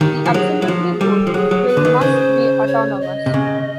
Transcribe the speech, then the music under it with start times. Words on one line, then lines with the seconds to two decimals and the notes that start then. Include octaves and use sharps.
The absolutely good will must be autonomous.
0.01 D#3 G4
0.26 F3
0.34 F#3 G#4
0.62 F#3
0.67 F3 F#4
0.92 G#4
1.01 G3 A4
1.27 F3
1.34 F#3 G#4
1.51 F#3
1.68 B4
1.77 D3
1.85 D#3
2.01 C#3 C5
2.67 C#5
3.01 D#5
3.26 C3
3.34 C#3